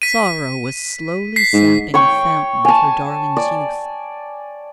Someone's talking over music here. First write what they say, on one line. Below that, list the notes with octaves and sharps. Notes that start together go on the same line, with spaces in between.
Sorrow was slowly sapping the fountain of her darling's youth.
B6 D#7
B6 C7
G#2
C#5 G5 C#6
G#5 A5
D5